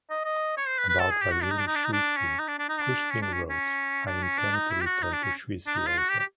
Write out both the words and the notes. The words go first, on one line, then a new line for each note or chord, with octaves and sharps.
About Vasili Shuisky, Pushkin wrote, I intend to return to Shuisky also.
D#5
D#5
C#5
C5
B4
B4
A4
G#4
G4
F#4
D4
D#4
D4
D#4
D4
D#4
D4
C#4
D#4
D4
D4
D#4
D4
C#4
D4
C#4
C#4
D4
C#4
D4
D#4
E4
G4
F#4
D#4
D4
C#4
D4
D#4
F4
F#4
G4
G4